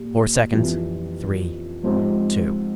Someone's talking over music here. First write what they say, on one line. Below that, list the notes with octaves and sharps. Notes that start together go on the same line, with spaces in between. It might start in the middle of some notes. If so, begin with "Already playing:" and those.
Four seconds ... three ... two....
Already playing: A#2 G3
F2 E3 G3
G#2 F3 C4 G4 C5